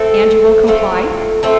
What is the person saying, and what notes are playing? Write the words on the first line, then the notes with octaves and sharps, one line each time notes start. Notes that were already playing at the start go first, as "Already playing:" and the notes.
"And you will comply?"
Already playing: A3 C4 A4
A3 C4 F4 A4
A3 C4 F4 A4